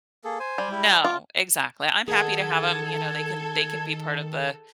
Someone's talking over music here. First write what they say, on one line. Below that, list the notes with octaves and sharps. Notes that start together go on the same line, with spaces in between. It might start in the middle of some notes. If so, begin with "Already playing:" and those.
No. Exactly, I'm happy to have 'em, you know, they can they can be part of the
A#3 G#4 A4
C5 G#5
G3
E4 G4
F4 D6
D#3 G#4 A4 F#5 G#6